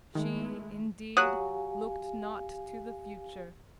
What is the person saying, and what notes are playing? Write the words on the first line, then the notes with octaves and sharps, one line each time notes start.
She, indeed, looked not to the future.
D#3 G#3 A3 E4
F#3 G4 F5 G#5 D#6 F#6